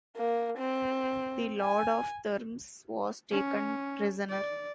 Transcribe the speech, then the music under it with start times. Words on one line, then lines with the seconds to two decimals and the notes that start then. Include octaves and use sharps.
The lord of Thermes was taken prisoner.
0.17 A#3
0.58 C4
1.61 G#5
3.30 C#4
4.29 D5